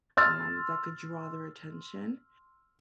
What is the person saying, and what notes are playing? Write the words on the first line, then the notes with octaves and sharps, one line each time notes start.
um, that could draw their attention.
C6 E6 F6 A6